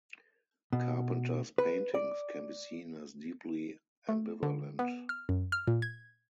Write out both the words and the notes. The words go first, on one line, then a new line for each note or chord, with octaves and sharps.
Carpenter's paintings can be seen as deeply ambivalent.
B2
B4
D5
A3
D3
B3
F6
F#2
F6
A#2
G#6